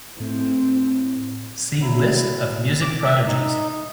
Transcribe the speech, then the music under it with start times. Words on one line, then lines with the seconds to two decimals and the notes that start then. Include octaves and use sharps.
See List of music prodigies.
0.20 A2 C4
1.81 F#3 E4
2.82 D6
3.05 E5
3.27 D#4